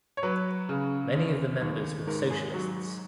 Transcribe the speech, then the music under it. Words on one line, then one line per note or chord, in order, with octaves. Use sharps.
Many of the members were socialists.
C#5
F#3 B4
C#3
D#2
D#2
G#2 A#4
G#4
F#3 F#4